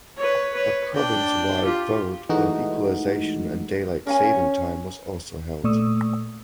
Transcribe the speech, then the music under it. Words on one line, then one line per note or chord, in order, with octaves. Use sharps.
A provincewide vote on equalization and Daylight Saving Time was also held.
B4 C#5
B4 C#5
D4 G5
F4 G4
E3 G#3 A3 D#4 F#4
C#4 A#4 F5 G#5
A#2 A3 D5 C#6 D#6 E6